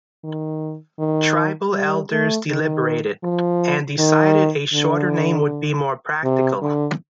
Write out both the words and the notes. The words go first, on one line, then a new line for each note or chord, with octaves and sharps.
Tribal elders deliberated, and decided a shorter name would be more practical.
D#3
D#3
G3
A3
D#3
F3
D#3
D3
C3
D3